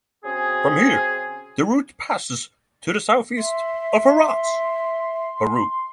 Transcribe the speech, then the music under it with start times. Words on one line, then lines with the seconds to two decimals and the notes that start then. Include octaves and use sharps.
From here, the route passes to the southeast of Harrah's.
0.24 C#3 C4 C#4 F#4 G#4
3.37 E5 C6